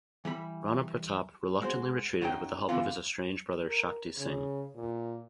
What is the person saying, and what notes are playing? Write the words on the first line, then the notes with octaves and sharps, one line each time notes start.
Rana Pratap reluctantly retreated with the help of his estranged brother Shakti Singh.
E3 G3 B5
G#3 F#4 C5
F#2 F#3 D#4 A4 G5
D3 E3 B3 F4
A#4
C#3
A#2